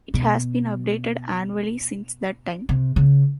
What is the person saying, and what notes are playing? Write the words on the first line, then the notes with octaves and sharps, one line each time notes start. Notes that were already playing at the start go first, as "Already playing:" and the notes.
It has been updated annually since that time.
B2
C3
C#3